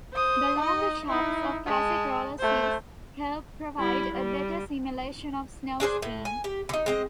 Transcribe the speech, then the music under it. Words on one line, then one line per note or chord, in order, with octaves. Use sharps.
The longer shafts of classic rollerskis help provide a better simulation of snow skiing.
C5 D#6
D#4 D#5
D#4 E4
G#3 A5
A3 C5
G3 E4
G3
D4 G#4 A4 C5
A2
G#5
G4
D3 D#4
G#3 C4 D#5